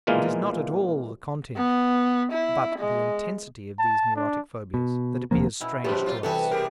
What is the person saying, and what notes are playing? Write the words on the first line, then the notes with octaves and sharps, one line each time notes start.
It is not at all the content but the intensity of these neurotic phobias that appears strange to us.
B1 A#2 E3 G#3 A#3 F4
B3
E4
G#3
A5
D4
B2
E1 D2 F3 A#3
B2 C#4 E4
C3 F#3 G4 B4 C5 A5
F#3 G3 F4
C3 E3 G3 B3 F#4 A4 B4
B2 G4 G#4 A#4